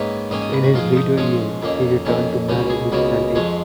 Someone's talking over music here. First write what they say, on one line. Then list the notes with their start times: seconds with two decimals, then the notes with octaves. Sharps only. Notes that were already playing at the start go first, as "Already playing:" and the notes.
In his later years, he returned to manage his plantation.
Already playing: G#2 D#3 A#3 C#4 B4
0.30 G#2 D#3 A#3 C#4 D#5
0.42 D#5
0.53 B4
0.64 F#4
0.74 G#2 F3 G#3 F4
0.96 D#4
1.17 G#2 F3 G#3 C#4
1.62 F2 D#3 A#3 C#4
2.05 F2 D#3 A#3 C#4
2.49 C#2 B2 A#3 C#4
2.70 G#4
2.92 C#2 B2 A#3 C#4
3.35 F2 F3 G#3 C#5